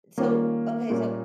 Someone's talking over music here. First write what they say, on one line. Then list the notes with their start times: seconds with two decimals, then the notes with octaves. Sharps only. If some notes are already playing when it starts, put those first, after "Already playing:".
So, okay, so,
0.18 D#3 G3 A#3 C#4 F4
0.90 A#2 G3 C#4